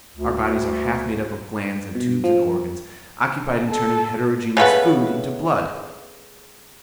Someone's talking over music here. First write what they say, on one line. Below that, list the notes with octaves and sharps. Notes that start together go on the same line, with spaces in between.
Our bodies are half made up of glands and tubes and organs, occupied in turning heterogeneous food into blood.
D2
B2
F3
A4
C#3 A3 B3 B4